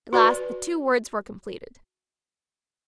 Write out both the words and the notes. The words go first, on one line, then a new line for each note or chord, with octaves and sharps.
At last the two words were completed.
F#4 B4 D5